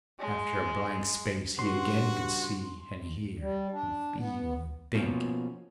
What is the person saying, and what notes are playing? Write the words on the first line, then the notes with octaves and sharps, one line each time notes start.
After a blank space he again could see and hear and feel and think.
G#3
G2 C#3 F#4 C6
G3
D4
B3
B2 F3 A#3 C#4